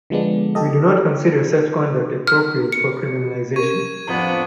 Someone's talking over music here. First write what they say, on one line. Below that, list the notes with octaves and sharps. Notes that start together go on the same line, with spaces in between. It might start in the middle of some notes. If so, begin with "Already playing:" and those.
We do not consider such conduct appropriate for criminalization.
D3 F3 G#3 B3 D4
G4 A4 D#5
F6
C#7
C#4 G4 A#4 C#6 G#6 D#7
F2 A2 F3 B3 D4 A#5